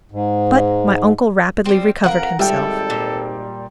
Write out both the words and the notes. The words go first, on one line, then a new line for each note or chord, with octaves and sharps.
But my uncle rapidly recovered himself.
G#2
G3 C4
F2 A#4 B4 F5 F#5
G#1 G3 A4 E5 G5
A#2